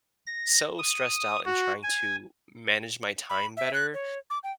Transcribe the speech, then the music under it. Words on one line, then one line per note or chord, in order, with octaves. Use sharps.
so stressed out in trying to manage my time better
A#6
D#6
F#4
G#5
B5
E5
F#6
C#5
D6
G5